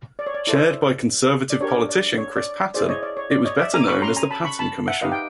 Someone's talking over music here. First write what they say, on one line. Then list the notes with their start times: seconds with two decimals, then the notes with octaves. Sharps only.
Chaired by Conservative politician Chris Patten, it was better known as the Patten Commission.
0.19 D5
0.27 C#5
0.34 D5
0.47 E4 A4 C5 D5
1.50 D5
1.60 D4 G4 A#4 C#5
1.89 D5
2.18 C#5
2.36 D5
2.74 E4 G#4 C5 D5
2.89 C#5 D#5
3.03 D5
3.17 C#5
3.31 D5
3.45 C#5 D#5
3.60 D5 E5
3.74 G#5 A#5
3.81 D6
3.88 C#4 F#4 A4 B5 C#6
4.02 A#5 C6
4.16 G#5 A#5
4.31 A5 B5
4.45 B5 C#6
4.59 A5 B5
4.88 E5 F#5
5.01 D#4 G4 B4 D#5 F5
5.12 G5